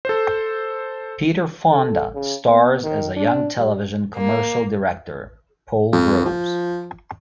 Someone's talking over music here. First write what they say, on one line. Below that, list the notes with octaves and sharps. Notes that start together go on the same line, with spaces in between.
Peter Fonda stars as a young television commercial director, Paul Groves.
A4 C5
A4
C#3
B3
D#3
D4
G3
A#3
F2
F3